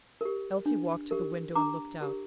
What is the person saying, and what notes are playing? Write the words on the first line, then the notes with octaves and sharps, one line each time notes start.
Elsie walked to the window and looked out.
G4 A#4
D4
G4 A#4
D4 A#5 D6
G4 A#4